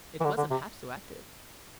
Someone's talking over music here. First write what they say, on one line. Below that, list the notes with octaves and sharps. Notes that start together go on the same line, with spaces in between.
It wasn't half so active.
E3
D3
D3
C3